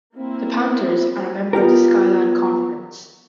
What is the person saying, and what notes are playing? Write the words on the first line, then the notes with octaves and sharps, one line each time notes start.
The Panthers are a member of the Skyline Conference.
A#3 C4 E4
B3 F4 G4 A#4